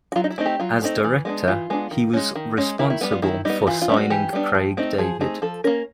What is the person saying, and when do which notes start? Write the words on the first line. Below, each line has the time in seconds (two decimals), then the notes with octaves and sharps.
As Director, he was responsible for signing Craig David.
0.12 F#4
0.16 F#3 F4
0.24 D#4
0.30 E4
0.38 A3 C4 D#4
0.46 G4
0.60 F#3 F4
0.82 A3 C4 D#4
1.04 E3
1.25 G#3 B3 D4
1.48 E3 F4
1.70 G#3 B3 D4
1.91 D#3
2.14 G#3 C#4
2.35 D#3
2.57 G#3 C#4
2.79 D#3 E4
2.90 E4
3.01 G3 B3
3.12 F4
3.22 D#3 E4
3.45 G3 B3 D#4
3.62 F#4
3.67 E3 F4
3.82 F4
3.89 G3 B3 D4
3.97 F#4
4.10 E3 G4
4.33 G3 B3 D4
4.55 F3
4.77 A3 C4 D#4
4.98 F3 G#4
5.21 A3 C4 D#4 G#4
5.42 F3 A4
5.64 A#3 C#4 A#4